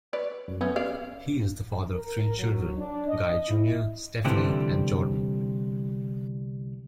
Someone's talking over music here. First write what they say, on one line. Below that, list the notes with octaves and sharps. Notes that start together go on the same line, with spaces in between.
He is the father of three children: Guy Junior Stephanie and Jordan.
B4 C#5 D5
F#2
A3 B3 C#4
C#4 D5 F5
A#4
F#3
D4
D#5
E4
C2 D3 E3 G3 C4